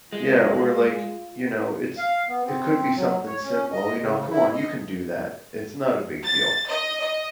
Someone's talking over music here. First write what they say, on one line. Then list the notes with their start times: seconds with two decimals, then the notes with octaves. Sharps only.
Yeah, or, like, you know, it's it could be something simple, you know? "Come on, you can do that, it's not a big deal."
0.13 G#3 F4
1.98 F5
2.28 B3
2.45 C4
2.95 F#3
3.26 C#5
3.44 C#4
3.72 D#5
4.00 C#3
4.30 E4
4.53 D#5
6.23 A6
6.67 D#5
7.00 D#5